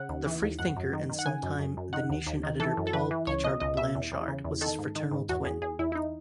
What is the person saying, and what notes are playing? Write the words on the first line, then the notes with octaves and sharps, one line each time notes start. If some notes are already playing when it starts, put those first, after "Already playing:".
The freethinker and sometime "The Nation" editor Paul Beecher Blanshard was his fraternal twin.
Already playing: C#3 F#5
D#2
E3
D#2
F#2 F#5
F#2
D#3
D#3
F#5
C#3 G#5
F#2
F#2
F#2
D#3 F#5
D#2
D#2
D#3
E3 A4
F#2
A4
E3 B4
E3
C#2 C#5
B2 D#5
C#2 D#5
B2 E5
E2
E2
C#3
E2
D#3 A4
G#2
D#3
G#2
E2 F#4
E2 G#4
E2 G#4
E2 E4
E4
D#4